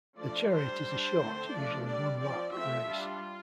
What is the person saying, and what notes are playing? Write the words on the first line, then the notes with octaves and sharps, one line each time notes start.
The chariot is a short, usually one lap, race.
F3 A3 D4 D5
G3 D4 C5
G3 D4
D3 A3 C4
F3 A3 D4 D5
G3 D4 D5
F3 C4 D5
F3 A3 C4 E5
G3 D4 F4